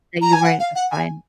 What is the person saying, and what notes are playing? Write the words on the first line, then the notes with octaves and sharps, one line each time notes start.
that you weren't fine.
A#5
G#5
F#5
F5
F#5
G#5